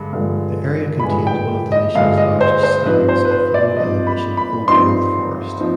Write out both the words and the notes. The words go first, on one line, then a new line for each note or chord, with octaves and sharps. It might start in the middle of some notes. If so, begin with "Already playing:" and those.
The area contains one of the nation's largest stands of low-elevation old-growth forest.
Already playing: G2 D3 G#3
G2 D3 F3 G#3
B5
G2 D3 F3 G#3 G#5
G5
D#5
G2 D3 F3 G#3 F5
D#5
C5
C5
G2 F3 C4 D#4 B4
C5
B4
C5
D5
G2 F3 C4 D#4 D#5
B5
B5
G2 F3 C4 D#4 C6
F3 C4 D#4